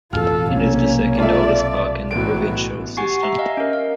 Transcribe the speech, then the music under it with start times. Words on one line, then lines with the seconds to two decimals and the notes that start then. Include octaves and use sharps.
It is the second oldest park in the provincial system.
0.13 A1 F2 B2 F4 A4 F6
0.50 B1 C3 A#3 C4 C#4
1.18 F4 A4 D5 E5
2.11 A1 A2 B3 F#4 D7
2.97 G4 F#5 G#5 C#6 C7
3.23 E5 A#5
3.38 D#5 F5
3.57 C#4 A#4
3.73 F5